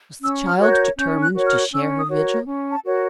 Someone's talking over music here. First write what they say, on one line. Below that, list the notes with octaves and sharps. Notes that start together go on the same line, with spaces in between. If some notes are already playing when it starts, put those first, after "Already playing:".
Was the child determined to share her vigil?
C#4 E6
F6
F#4 A#4 C#5 F#6
G6
C#4 G6
F#6
F#4 A#4 C#5
F6
C#4 E6
D#6
F#4 A#4 C#5
C#4
A5
F#4 A#4 C#5